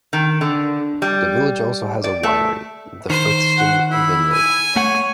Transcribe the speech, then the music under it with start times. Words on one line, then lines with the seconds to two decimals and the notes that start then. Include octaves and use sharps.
The village has also a winery, the Frithsden Vineyard.
0.13 D#3
0.41 D3
1.02 G3
2.04 D5
2.23 A3
3.10 D#3 C5
3.58 F#5
3.92 E4 B5
4.32 G#5
4.76 A3 C#5 F#5